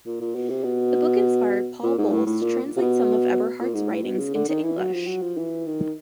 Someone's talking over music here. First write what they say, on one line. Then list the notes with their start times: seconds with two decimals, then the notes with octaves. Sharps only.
The book inspired Paul Bowles to translate some of Eberhardt's writings into English.
0.06 A#2
0.21 A#2
0.35 B2
0.49 C3
0.64 B2
1.83 A#2
1.98 G#2
2.12 A2
2.26 A2
2.42 A#2
2.76 C3
2.81 B2
3.60 A#2
3.74 G#2
3.89 A2
4.04 B2
4.19 C#3
4.34 D3
4.48 D#3
4.63 E3
4.78 F#3
4.93 F3
5.07 F#3
5.22 F3
5.37 E3
5.66 D#3